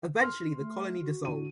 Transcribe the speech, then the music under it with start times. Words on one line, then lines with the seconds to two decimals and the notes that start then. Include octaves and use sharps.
Eventually the Colony dissolved.
0.20 C6 F6
0.58 A3
1.00 F#4
1.25 D3 D#7